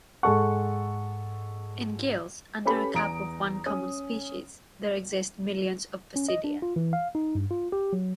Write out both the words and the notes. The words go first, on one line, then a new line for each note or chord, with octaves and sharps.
In gills under a cap of one common species, there exist millions of basidia.
G#2 G#3 A4 F#5 C#6
C#4 G4 A4 B4 B5
E2 A#5 D#6 D7
C#4 D#6
C#4
D#5
D4
F4
E3
F5
D#4
G2
F4
G4
F#3